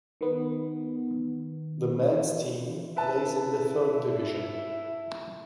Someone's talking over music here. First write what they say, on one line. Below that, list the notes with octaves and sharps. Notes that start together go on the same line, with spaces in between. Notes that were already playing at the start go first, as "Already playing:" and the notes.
The men's team plays in the Third Division.
D#3 B3
E4 B4 A5